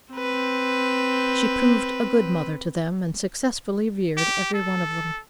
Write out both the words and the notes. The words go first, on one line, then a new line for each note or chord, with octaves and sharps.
She proved a good mother to them, and successfully reared every one of them.
C4 B4
G4
A4